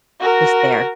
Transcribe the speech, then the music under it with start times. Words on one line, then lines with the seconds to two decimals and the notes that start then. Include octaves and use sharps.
just there.
0.20 F#4 A#4